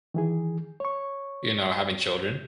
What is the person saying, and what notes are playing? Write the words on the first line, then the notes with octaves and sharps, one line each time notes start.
you know, having children.
D#3 E3 G#4
C#5 C#6